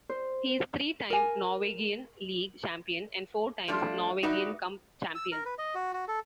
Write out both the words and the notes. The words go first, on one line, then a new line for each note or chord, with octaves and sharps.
He is three time Norwegian league champion, and four times Norwegian cup champion.
C5
A#4 G#5
F3 G3 A3 D4 F4
D#4 F#4 B4 D5 E5
E6
A#4
B4
D#5
F#4
F#4
A4